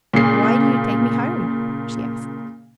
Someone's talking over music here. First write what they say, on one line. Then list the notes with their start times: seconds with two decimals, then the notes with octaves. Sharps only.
"Why do you take me home?" she asked.
0.13 A#2 C#3 C7